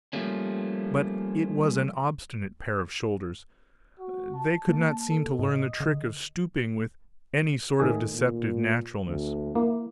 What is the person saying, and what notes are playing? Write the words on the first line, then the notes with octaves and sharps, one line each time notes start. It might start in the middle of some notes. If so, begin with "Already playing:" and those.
But it was an obstinate pair of shoulders; they could not seem to learn the trick of stooping with any sort of deceptive naturalness.
F3 G3 A3 A#3 C#4
F#4
A5
A#3
A4
A2 D#5
D3
A2 D#3 G#4
A#2
D2
A#3 E4